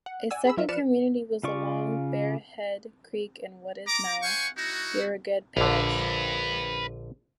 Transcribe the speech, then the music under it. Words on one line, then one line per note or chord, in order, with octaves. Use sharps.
A second community was along Bearhead creek in what is now Beauregard Parish.
F#5
D5 F#5 G#5 E6
G#4 B5 E6
F#3 F4 A#4 E5
F3 B4 D5 F6 C#7 E7
C#3 F4 D5 C#6
A#5 D6
C5 F5 F#5 G#5 C#6
D#4 E4 F#4
A#1 D3 B4 F5